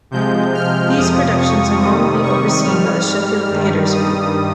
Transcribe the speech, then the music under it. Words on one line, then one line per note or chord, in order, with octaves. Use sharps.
These productions are normally overseen by the Sheffield Theatres Group.
C3 F3 G#3 G6
F6
F2 C3 F3 D#6
C#6
C3 D#3 G3 D#6
C#6
G#2 G3 F6
F6
G2 D#3 G3
D#6